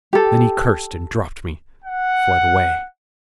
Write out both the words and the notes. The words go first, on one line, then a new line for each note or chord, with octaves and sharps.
Then he cursed and dropped me; fled away.
G4 A4
F#5